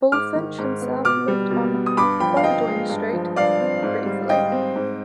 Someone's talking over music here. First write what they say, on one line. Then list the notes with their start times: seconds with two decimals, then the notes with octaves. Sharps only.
Bulfinch himself lived on Bowdoin Street, briefly.
0.12 G#2 D6 F6
0.35 D#3
0.58 G#2
0.82 B3
1.05 B2 D6 F6
1.28 G3
1.51 B2
1.74 B3
1.86 D#6
1.97 G2 B5 D6
2.20 F3 G5 B5
2.37 F5
2.44 G2 D#5 G5
2.67 G#3
2.90 G2
3.13 F3
3.36 G2 D5 F5
3.60 C4
3.83 G#2
4.06 G3
4.29 G#2 D#5 G5
4.52 C4
4.75 G#2